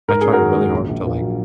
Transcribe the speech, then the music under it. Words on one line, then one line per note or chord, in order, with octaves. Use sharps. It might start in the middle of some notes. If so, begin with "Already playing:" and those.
I tried really hard to, like
G#2 A#4
C#4 G#4
F#4 A#4
D#3
G#3
A#1
A#1
A#2
F#3